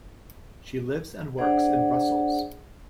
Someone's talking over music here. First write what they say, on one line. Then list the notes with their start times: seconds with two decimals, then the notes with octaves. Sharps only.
She lives and works in Brussels.
1.37 D4 G#4 C5 D5 F#5